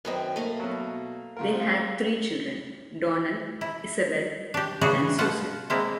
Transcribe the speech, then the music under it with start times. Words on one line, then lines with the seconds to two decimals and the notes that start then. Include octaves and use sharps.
They had three children: Donald, Isabel and Susan.
0.05 F#2 D#3 C4 B4 D#5
0.36 A3 A#3
0.60 B2 F#3
1.37 C#3 F4 A#4
1.52 G#3 C4 F4
3.61 E4
4.54 D4 G4
4.81 C#3 E3 D4 F#4 G#4
5.18 B2 F4 F#5 A5
5.70 G#3 A#3 C4 D4 E4